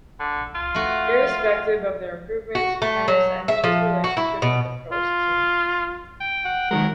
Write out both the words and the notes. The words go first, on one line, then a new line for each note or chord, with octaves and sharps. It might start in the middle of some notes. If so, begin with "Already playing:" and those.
Irrespective of the improvements, Panis ended his relationship with the Prost team.
D3
F4
A3 F#4
F#4
A3
F#3
E5
F3
F#4
E4
B2
F4
G5
F#5
D#3 F#3 G#3 A#4